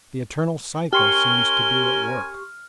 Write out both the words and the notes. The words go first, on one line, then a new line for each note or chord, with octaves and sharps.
The eternal cycle seems to be at work.
C#4 G4 A#4 G#5 C6 C#6 F6 G7